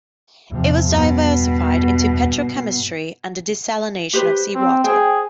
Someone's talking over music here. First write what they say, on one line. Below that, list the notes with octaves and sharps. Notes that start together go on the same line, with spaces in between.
It has diversified into petrochemistry and the desalination of seawater.
E2 C3 F3
G2 B2
G4 B4 C5
C4
G#4 C5 G5